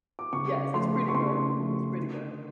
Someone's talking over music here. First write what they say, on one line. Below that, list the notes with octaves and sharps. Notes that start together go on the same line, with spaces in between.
Yes, so, it's pretty good. It's pretty good.
D6
C#3 C#6
F3 A3 C6
C#6
C#3 C6
F3 A3
D3